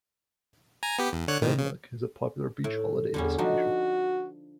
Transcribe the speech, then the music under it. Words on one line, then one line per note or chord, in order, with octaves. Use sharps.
Benllech is a popular beach holiday destination.
G#5 A#5
B3 G4
E2
D3 C#5 F#6
A2 D#3
C#3
A2
E2 D3 G3 C#4
F3 D4 D#4 F#4